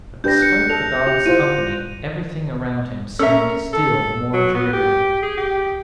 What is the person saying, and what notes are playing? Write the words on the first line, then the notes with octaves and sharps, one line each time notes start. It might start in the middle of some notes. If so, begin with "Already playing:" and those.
But despite the dog's company everything around him seemed still more dreary.
D4 G4 B4 G6 A#6
F#6 C#7
A4 F7
G4 F7
E4 F4 C5 D#7
C#4 A4 A#4 E5
A4
F#3
B3
G4
G#4
G4